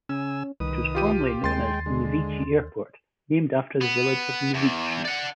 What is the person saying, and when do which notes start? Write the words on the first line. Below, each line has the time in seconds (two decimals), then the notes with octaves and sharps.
It was formerly known as Knevichi Airport, named after the village of Knevichi.
0.09 C#3 C#4 G#5 E6
0.60 C2 D#3 B4 D#6
0.95 F4 G4 D#7
1.44 D#2 G#3 G5 C6 A6
1.86 D3 G#3
3.81 B3
4.54 E2
5.05 D5 F#5